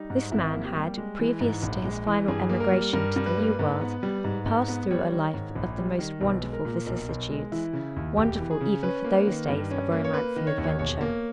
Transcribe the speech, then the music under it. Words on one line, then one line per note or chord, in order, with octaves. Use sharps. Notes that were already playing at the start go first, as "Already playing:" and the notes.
This man had, previous to his final emigration to the New World, passed through a life of the most wonderful vicissitudes--wonderful even for those days of romance and adventure.
Already playing: G3 D#4
G#2
G#1 E4
A#3
G4
G3
G#3
E3
G#2
A#1
G#3
E3
G2 G#4
A#3
A#4
G3
G2 A#4
G2
B4
A#3
G#2
B3
G3
G#2
G#2
B3
G3 C#5
D#3
G#2
A#1
G3
D#3
B1 B4
G#3
A#4
A#2
B1 A#4
B1
G#3
E3 E4
C#3
D#2
E1 G4
E3
G#4
C#3
C#4 B4
A#3
D#3
G2
C#4
A#3
C#5
A#3 B4
D#3
C#5
D#2
C#5
E1 C#5
A#3